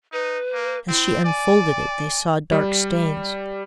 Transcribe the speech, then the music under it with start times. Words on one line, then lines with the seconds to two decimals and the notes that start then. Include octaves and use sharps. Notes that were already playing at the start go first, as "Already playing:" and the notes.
As she unfolded it they saw dark stains.
0.13 D#4 B4
0.53 A#3
0.88 C4 E4
1.25 D5 G#5
2.52 G3